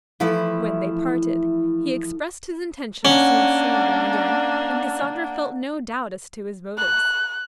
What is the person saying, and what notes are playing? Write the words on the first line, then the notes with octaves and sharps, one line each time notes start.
When they parted, he expressed his intention of soon seeing them again; and Cassandra felt no doubt as to his motives.
E3 F3 A3 E4
A#3 C#4 D4 F#5
F#6